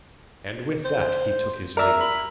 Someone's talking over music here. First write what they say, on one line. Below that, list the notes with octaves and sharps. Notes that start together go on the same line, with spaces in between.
And with that he took his leave.
C5
A#4 D5 E5
B5